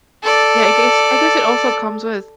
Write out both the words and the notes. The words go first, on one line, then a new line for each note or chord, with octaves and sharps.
Yeah, I guess I guess it also comes with
A4 D5